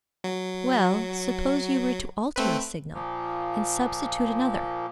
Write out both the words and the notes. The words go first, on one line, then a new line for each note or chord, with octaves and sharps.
"Well, suppose you were to alter a signal, and substitute another?"
F#3
A3 C4 B4
A#2 F3 A#3